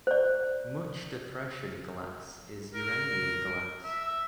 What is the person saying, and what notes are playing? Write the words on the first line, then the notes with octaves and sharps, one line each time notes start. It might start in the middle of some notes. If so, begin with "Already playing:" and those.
Much depression glass is uranium glass.
C5 D5
A#4
E5